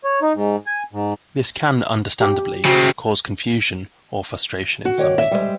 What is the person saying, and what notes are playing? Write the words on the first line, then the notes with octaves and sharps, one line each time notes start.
This can, understandably, cause confusion or frustration in some people.
C#5
D#4
G#2
G#5
G#2
G4
C#3 C4 F#4
F#4
D#3 C#5 D5
E5
G3 G#3 C5